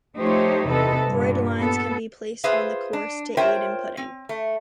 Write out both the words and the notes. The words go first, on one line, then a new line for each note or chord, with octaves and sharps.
Grid lines can be placed on the course to aid in putting.
F3 A3 D#4 G4 C5 C#5
E2 C3 A4 B4 D#5
G2 A#2
B3 A4
F4 G#4 B4 C5 E5 F5
D4
F4 A#4 C5 C#5 E5 G5
C4
A3